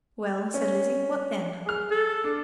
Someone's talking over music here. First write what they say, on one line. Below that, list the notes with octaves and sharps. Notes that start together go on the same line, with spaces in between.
"Well," said Lizzie,--"what then?"
C#4
G#4 F6
A4
D4